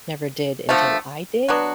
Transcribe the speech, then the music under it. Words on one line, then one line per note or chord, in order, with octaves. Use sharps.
never did until I did.
D3 F3 A3
F#3 B3 D4 F#4